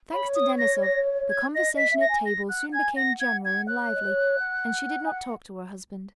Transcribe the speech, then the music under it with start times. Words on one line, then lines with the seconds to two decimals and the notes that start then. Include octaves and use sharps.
Thanks to Denisov the conversation at table soon became general and lively, and she did not talk to her husband.
0.11 C#5 B5
0.35 D#6
0.59 A#6
0.83 A#6
1.30 G#6
1.54 D#5 A#6
1.72 D#5
1.77 B6
1.90 E5
2.01 A#6
2.08 G#5
2.26 A#6
2.49 F#5 F#6
2.73 G#5 G#6
2.96 F#5 A#6
3.20 F#5 G#6
3.44 F#5 G#6
3.68 C#5 F#6
3.94 D#5
4.04 C#5
4.40 F#5
5.04 G#5
5.11 F#5